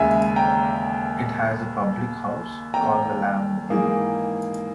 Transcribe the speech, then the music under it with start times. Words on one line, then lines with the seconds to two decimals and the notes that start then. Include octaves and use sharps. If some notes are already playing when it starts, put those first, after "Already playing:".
It has a public house called The Lamb Inn.
Already playing: D#2 C#3 G#3 E5 G#5
0.36 G5 A#5
2.74 G5 A#5
3.69 G#2 E3 A#3 D#4 G#4